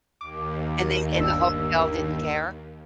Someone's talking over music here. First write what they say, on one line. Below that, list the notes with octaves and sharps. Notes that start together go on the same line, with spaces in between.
And they and the hotel didn't care?
D#2 D6
G1 D4 E6